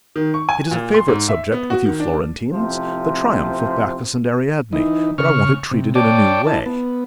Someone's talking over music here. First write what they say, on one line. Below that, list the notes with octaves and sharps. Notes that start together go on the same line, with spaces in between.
It is a favourite subject with you Florentines--the triumph of Bacchus and Ariadne; but I want it treated in a new way.
D#3
C#6
G#5
A#2
C6
G#2
E5
B3
F#4
D#3
D4
A1 C3 F3 C5
E3 D#4
C#3 C#6 F6
C3
C#5 D5 G5 A5 D6
E4 A5
B3